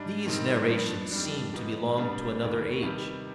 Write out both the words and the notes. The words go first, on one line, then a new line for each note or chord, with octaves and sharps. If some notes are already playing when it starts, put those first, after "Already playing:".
These narrations seemed to belong to another age.
Already playing: G#2 G3 D4
G2 D#3 G3 C4 D#4
G2 F3 B3 D4
F2 D#3 G3 D4
G#2 F3 B3
C3 G3 B3 D4
D#2 D#3 B3
C3 D#3 G3 B3